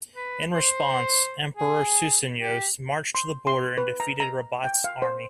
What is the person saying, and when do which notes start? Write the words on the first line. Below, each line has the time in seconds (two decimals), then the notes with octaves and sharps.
In response, Emperor Susenyos marched to the border and defeated Rabat's army.
0.15 B4
0.52 C5
1.57 G#4
2.41 G4
3.15 C6
3.47 C6
3.78 B4
4.00 A#5
4.20 A#5
4.64 G5
4.84 F5
5.02 C5